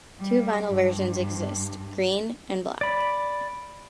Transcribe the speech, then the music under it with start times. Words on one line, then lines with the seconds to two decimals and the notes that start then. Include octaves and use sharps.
Two vinyl versions exist - green and black.
0.20 G3
0.74 G2
2.81 D5 B5